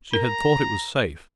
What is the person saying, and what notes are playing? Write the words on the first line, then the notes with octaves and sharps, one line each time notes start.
She had thought it was safe.
A#4 A#5